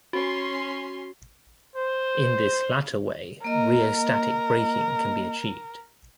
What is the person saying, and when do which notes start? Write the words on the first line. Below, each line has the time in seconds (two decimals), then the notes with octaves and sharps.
In this latter way "rheostatic" braking can be achieved.
0.13 C#4 F#4 C6
1.76 C5
3.44 A#3 A#4 D#5